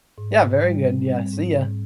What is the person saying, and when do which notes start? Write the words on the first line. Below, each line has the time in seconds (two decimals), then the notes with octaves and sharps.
Yeah, very good, yeah. See ya.
0.18 G#2
0.41 G#2
0.63 G3
0.87 C4
1.09 G3
1.33 G#2
1.56 G#2